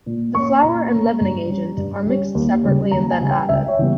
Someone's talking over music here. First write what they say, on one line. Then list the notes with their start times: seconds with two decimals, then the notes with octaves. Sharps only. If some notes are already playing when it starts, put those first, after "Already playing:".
The flour and leavening agent are mixed separately and then added.
0.06 A#2
0.35 A#3 C#4 C#6
0.62 A#2 A#5
0.92 A#3 C#4
1.21 G2
1.49 G3 C#4
1.77 G2
2.06 G3 C#4
2.35 D#2
2.63 C#3 G3 C#4
2.91 D#2 A#5
3.11 G#5
3.21 C#3 G3 C#4
3.31 G5
3.49 C#2 E5
3.68 C#5
3.78 C#3 E3 G3 B3